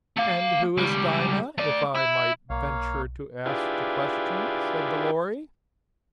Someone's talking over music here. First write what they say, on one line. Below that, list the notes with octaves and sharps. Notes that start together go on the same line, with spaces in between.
'And who is Dinah, if I might venture to ask the question?' said the Lory.
A3 F5
C#2 G3
A3 D5
E4
B1 A#3 C#5 F5
D4 E4 F4 G4 G#4 B4